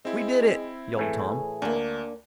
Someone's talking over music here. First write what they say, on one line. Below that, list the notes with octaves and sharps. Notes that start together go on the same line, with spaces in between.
"We did it!" yelled Tom.
G#3 C4 E4
A2 E3 A3 G#4
D2 A#3 D4